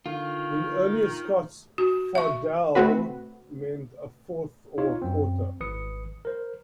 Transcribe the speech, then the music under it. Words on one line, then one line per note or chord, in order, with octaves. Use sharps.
In earlier Scots "fardell" meant a fourth or quarter.
D3 D#3 F4
F#4
E5 C#6
A3 C4 F#4 B4
D#4 F4 C#5
F#2 C4
G#1 B4 D#6 C#7
A#4 C5